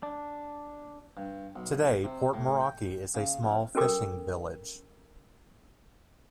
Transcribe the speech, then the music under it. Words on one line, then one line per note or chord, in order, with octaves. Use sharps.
Today, Port Moeraki is a small fishing village.
D4
G2
B1
C3
A2
G5
C#3
F2
C#4 A4 A#4 G5 D6 D#6